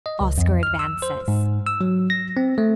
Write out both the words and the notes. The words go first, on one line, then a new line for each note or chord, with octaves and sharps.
Oscar advances.
D#5
C#2
F2
F6
E6
C5
G#2
E6
F#3
A#6
C4
A3